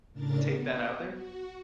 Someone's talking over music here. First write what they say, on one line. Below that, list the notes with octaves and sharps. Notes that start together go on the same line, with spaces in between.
Take that out there?
A2 C#3 D4 A#4 A6
B3
F#4